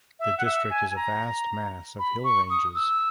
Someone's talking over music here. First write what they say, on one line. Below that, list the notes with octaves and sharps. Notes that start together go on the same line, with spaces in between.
The district is a vast mass of hill ranges.
E5
F#5
E5
G#5
G#5
A#5
B5
C#6
D#6
E6